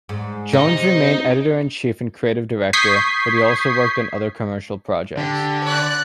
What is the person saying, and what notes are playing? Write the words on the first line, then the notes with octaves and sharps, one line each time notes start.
Jones remained editor-in-chief and creative director, but he also worked on other commercial projects.
G#2
C3 D#4
C#6 D#6 G6 G#6 B6 C7
D3 G4
D5 F#6